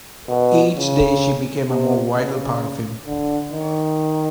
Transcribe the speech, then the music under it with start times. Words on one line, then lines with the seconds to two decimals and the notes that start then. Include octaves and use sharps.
Each day she became a more vital part of him.
0.28 B2
0.75 C#3
1.68 C3
2.13 C#3
3.06 D3
3.52 D#3